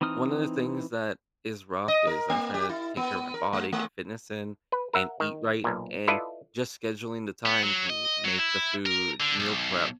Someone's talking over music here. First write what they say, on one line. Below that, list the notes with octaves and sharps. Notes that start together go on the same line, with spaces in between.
one of the things that is rough is I'm tryna take care of my body, get fitness in, and eat right, and just scheduling the time to make the food, meal prep
E3 C4 D#4 D#6 F6
D#5
A#4
A#3
G4
E4
B3
A#4
A3
A3
B4
A#4 E5 F#5
D#3
B1 A#2
E4 F4 A4 B4 D5 D#5
B3
F#3
D#5
F#3
E4
A#4
D3
B1